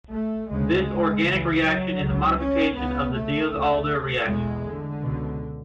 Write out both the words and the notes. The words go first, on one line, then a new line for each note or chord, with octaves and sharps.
This organic reaction is a modification of the Diels-Alder reaction.
A3
D2 C#3 G#3
C#2 C#3 E3
F#3
C#2
C#3
C#4
C#2 C#3 B3
A3
D2 C#3
E2 B2 G#3
D3
C#2 B2